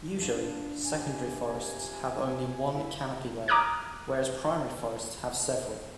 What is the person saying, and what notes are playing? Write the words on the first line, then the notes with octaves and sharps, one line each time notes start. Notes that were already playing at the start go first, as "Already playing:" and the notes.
Usually, secondary forests have only one canopy layer, whereas primary forests have several.
D4 F4
C3 G#5
E4 E5
A#5 D6 D#6 F6 F#6 G#6